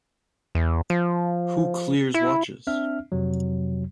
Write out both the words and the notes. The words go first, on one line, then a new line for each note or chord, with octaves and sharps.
Who clears watches?
E2
F3
E4
C4 D4 E5 F6
F2 C3 F#3